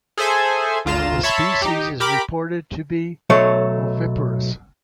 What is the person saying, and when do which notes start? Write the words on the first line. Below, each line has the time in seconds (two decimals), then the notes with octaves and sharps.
This species is reported to be oviparous.
0.17 G#4 A4 C5 E5 G#5
0.85 G#1 D2 F4 A#5 E7
1.23 C#5 E5 A5 B5 C6
1.62 D#4 G4
2.00 G4 A#4 B5 D6
3.30 B1 F#3 A3 C#5